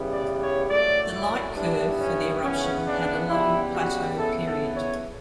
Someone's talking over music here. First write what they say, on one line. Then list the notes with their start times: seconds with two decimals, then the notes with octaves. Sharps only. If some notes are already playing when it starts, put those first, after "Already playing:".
The light curve for the eruption had a long plateau period.
Already playing: C#3 E3 G3 B3
0.12 D5
0.41 C#5
0.69 A2 F#3 A3 D5
1.13 E4
1.56 G2 E3 G3 B3 D4
2.00 C#4
2.43 C#3 E3 B3 C#4
2.86 D4
3.29 C#3 G3 B3 E4
3.74 F#4
4.17 C#3 E3 B3 A4
4.46 A4
4.75 C#5